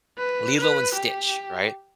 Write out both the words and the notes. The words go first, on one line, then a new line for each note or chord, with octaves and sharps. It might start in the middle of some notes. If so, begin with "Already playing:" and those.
Lilo and Stitch, right?
B4
B4
G4